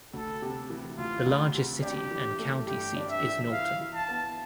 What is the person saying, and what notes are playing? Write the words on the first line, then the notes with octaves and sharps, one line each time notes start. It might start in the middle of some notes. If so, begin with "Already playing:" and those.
The largest city and county seat is Norton.
D2 A4
C3
E3
D2 F4
D2
C3
D4 G4
E3
A3
G2 G4
D4
E5
E3
E4 F5
E3
A5
B3